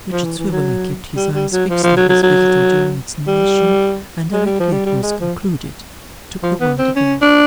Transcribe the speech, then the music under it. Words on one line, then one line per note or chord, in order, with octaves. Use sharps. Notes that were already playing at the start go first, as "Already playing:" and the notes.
Richard Swiveller kept his eyes fixed on his visitor during its narration, and directly it was concluded, took the word again.
F3
E3
E3
F#3
G3
G3
F#3
F3
F3
F#3
F#3
F#3
G3
G#3
G3
F3
G3
G3
G#3
F3
F3
B3
C4
C#4
D4